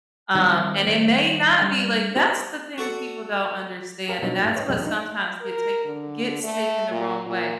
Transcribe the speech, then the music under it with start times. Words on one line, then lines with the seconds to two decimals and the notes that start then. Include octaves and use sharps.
Um, and it may not be, like, that's the thing people don't understand, and that's what sometimes get take gets taken the wrong way.
0.35 D#3 G3 C4 D#4
1.62 G3 D4
2.16 B3 D4 G4 C5 D5 D#5
2.78 F#4 A4 D5 F#5
4.08 G4 A#4 F5 A5 A#5
4.22 B2 F#3 G3 D4 D#4
4.41 G#2 A3
4.55 B4 C#5 D#5 G5
4.68 B1 F#2 G#3 C4 G4 D#5
4.81 D4 D#4
5.41 A#4
5.85 D3
6.44 A3
6.91 A#2
7.26 A#2